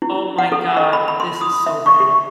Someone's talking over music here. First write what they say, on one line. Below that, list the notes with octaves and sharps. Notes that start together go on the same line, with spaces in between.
"Oh my God, this is so bad."
E4
F#5
A4
D#5
B5
B5
C6
D#6
E5
C#6
G4